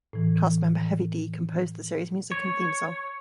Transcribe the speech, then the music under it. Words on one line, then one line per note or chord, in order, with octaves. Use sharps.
Cast member Heavy D composed the series' music and theme song.
A2 E3
C#5